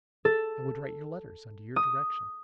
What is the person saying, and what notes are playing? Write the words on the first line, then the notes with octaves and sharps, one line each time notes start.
I would write your letters, under your direction.
A4
D#6